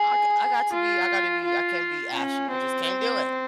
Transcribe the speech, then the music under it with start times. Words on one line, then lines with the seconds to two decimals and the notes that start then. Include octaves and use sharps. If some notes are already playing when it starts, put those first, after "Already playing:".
I g I got to be I gotta be I can't be ashy. I just can't do it.
Already playing: G#4
0.73 F4
1.44 F4
2.15 C#4
2.50 C4